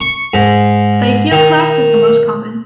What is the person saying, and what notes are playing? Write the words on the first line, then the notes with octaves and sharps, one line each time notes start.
Plagioclase is the most common.
C#6
G#2
D#3